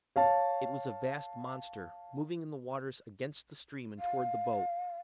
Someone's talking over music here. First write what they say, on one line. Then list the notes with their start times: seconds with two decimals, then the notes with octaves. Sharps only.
It was a vast monster, moving in the waters against the stream and toward the boat.
0.16 C#5 F5 A5
3.99 F5